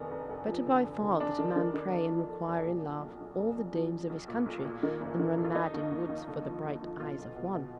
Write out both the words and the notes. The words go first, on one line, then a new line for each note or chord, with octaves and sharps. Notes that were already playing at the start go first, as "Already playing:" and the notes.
Better by far that a man pray and require in love all the dames of his country, than run mad in woods for the bright eyes of one.
Already playing: F1 D#3 B3
F1
F1
F3
D3
F1
D3
F1 D4
D#3
D#3
D#3
F2
F3
F2
F1
A#2
B1
B1
B1
F1
F3
F3
F3
B1
A#2
B1
A#2
D#3
F#1
D#3
F2
F4
D#3 D#4
D#2
D#2
D#2
D3
F3
D2
F3
B2 F4
B1
B2
B2